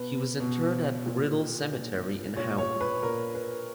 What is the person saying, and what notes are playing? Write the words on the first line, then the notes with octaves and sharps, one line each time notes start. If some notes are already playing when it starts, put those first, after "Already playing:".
He was interred at Riddle Cemetery in Howell.
Already playing: B2 B4
B2
A#2
A#2
A#2 C#5
C#5
B4
A#2 A#4
B4